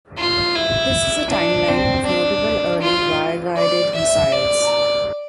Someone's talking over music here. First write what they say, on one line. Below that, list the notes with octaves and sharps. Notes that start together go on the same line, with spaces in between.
This is a timeline of notable early wire-guided missiles.
F4
E4
D4
C4
D4
F4
D5
E5
D5